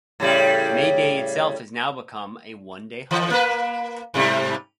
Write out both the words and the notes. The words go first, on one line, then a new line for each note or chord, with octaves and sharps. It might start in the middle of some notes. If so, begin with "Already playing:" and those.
May Day itself has now become a one-day holiday.
A2 C#3 G3
E3
A#3 B4
G#2 C3 G3